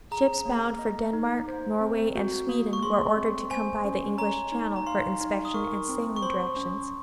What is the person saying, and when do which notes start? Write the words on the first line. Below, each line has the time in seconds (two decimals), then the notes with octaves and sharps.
Ships bound for Denmark, Norway, and Sweden were ordered to come by the English Channel for inspection and sailing directions.
0.11 G#4 A#5
0.46 A#3
0.79 D#5
1.13 D#4
1.48 C5
1.81 C4
2.15 F#4
2.49 A#3
2.73 C#6
2.83 G#4 C6
3.17 C4
3.51 C5 G#5
3.85 C#4
4.18 C#5 A#5
4.52 D#4
4.76 A#5
4.87 F5 C6
5.21 D#4
5.45 D#6
5.54 A#4 C#6
5.88 C4
6.16 C#6
6.22 C5 C6
6.56 C#4